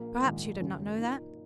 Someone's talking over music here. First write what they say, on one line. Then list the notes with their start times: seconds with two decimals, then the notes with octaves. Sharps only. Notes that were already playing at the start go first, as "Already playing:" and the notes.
Perhaps you did not know that?
Already playing: A#1 A#3
0.23 A#1 G#2 D#3
0.60 F#1 F#2 D#3
0.98 A#2 A#3 D#4